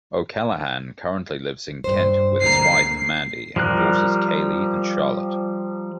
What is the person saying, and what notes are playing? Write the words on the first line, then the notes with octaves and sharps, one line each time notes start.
O'Callaghan currently lives in Kent with his wife Mandy and daughters Kayley and Charlotte.
G2 C5
D2 A#3 A#5 C7
F3 G3 A#4 F#6